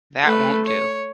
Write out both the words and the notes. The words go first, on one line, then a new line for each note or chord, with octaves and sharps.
That won't do.
A3 B4
C#5